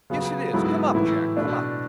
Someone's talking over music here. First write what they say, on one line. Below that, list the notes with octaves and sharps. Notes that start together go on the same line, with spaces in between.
Yes, it is. Come up, Jack; come up.'
C#3 F#3 B3
G#2 F#3 B3 E4 A4
A2 E3 A3 E4 B4
B2 A3 D4 A4